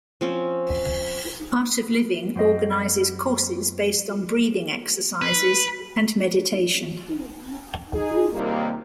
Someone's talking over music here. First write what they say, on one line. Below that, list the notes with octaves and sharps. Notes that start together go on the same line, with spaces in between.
Art of Living organizes courses based on breathing exercises and meditation.
F3 C4 C#4
F#2 C4 D#5
B4
D#4 G#4
D#2 C3 G3 A#3